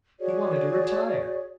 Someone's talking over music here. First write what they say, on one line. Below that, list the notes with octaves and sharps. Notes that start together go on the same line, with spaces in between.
He wanted to retire.
F#4 G#4 C#5 D5